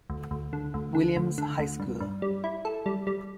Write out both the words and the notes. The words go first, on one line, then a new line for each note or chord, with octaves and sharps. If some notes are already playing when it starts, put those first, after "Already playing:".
Williams High School.
D2
D2
D3
D2
D3
D2
D3
D2
G2
G2
G3
E4
A4
G3
G3